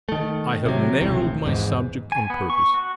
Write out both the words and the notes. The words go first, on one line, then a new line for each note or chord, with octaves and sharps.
I have narrowed my subject on purpose.
D#3 A3
C3 F#3
E1 C#2 A2 C3
G#1 E2 G#2
G#5
B3
C#6
F#4